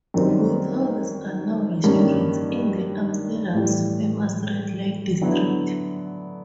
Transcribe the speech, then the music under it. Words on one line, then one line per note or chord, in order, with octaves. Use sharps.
Both houses are now restaurants in Amsterdam's famous red light district.
F#2 D#3 G3 C4
G2 D#3 G3 A#3 C#4
A2 E3 G3
D3 F#3 B3 E4